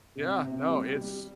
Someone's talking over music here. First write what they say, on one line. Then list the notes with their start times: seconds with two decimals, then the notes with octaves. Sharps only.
Yeah, no, it's
0.18 C3
0.44 C3
0.69 G3
0.95 G3